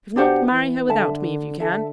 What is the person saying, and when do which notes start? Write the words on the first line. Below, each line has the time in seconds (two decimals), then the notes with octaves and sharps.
If not, marry her without me if you can.
0.16 B2 D4 G4 C5 F#5
0.51 E3
0.88 D3 A4 E5 A5
1.60 D3 A4 E5 A5